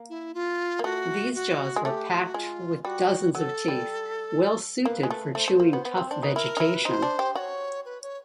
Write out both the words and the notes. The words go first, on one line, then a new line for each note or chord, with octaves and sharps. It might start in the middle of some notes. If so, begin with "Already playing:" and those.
These jaws were packed with dozens of teeth, well suited for chewing tough vegetation.
Already playing: A#3
E4
F4
A#3
A3 F#4
F#4
G#3
A3 G4
G4
F#4
G#3 F4
G3 F#4
F#3 A4
G3
A#3 B4
G#3
A3
A3 C5
A3
A#3
B3
B3
C4
D4
D#4 B4
E4 A#4
D#4
E4
B4
D#4 C5
D4
G4
F#4 C#5 D5
B4
C#5